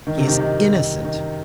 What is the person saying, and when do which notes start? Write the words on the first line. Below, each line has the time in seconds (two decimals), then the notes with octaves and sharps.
"He is innocent."
0.07 D#3
0.18 C3
0.27 D#3
0.40 D#3
0.72 D#3
1.04 D#3